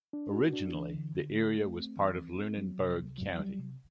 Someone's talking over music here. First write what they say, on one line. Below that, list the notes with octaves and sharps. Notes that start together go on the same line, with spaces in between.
Originally the area was part of Lunenburg County.
D4
F#4
D4
E3
D3
D3
A3
A3
C4
E3
C4
C4
F#3
C3
C2
F#3
G3
C3